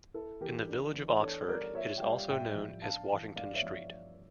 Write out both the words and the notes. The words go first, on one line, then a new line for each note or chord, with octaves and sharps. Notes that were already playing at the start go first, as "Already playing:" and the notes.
In the Village of Oxford, it is also known as Washington Street.
E4 A4
E3 G4 A#4
D4
E3
D4 A4 C#5
G3 A#4 D5
F4 C#5 E5
G5
G3 D5 F5
A2 E5 G5
F3
D4 F5 A5
E3
G2 D5 F5
C#5 E5
F3